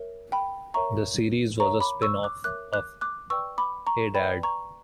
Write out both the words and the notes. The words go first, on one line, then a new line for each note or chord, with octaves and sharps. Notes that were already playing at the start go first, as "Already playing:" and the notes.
The series was a spin-off of Hey Dad...!
Already playing: A#4 C#5 E5
G5 B5
A#4 C#5 E5 A#5 C#6
A#4 C#5 E5 A#5 C#6
B5 D6
C#6 E6
D6 F#6
A#4 C#5 E5 D6 F#6
D6 F#6
D6 F#6
B4 D5 G5 C#6 E6
B5 D6
A#5 C#6
B4 D5 G5 B5
A#5 C#6